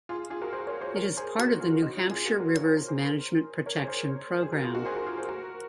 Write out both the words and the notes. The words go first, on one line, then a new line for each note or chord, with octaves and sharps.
It is part of the New Hampshire Rivers Management Protection Program.
F4 G#4
F4 G#4
F#4 A#4
G#4 C5
A#4 C#5
G#4 C5
A#4 C#5
G#4 C5
F#4 A#4
F4 G#4
D#4 F#4
C#4 F4
F4 G#4
F#4 A#4
F#4 A#4
C#5
C5
A#4
G#4 C5
A#4 C#5
G#4 C5
G#4 C5
G#4 C5
F#4 A#4
F4 G#4
D#4 F#4
G#4 C5
F#4 A#4
F4 G#4
G#4 C5
F#4 A#4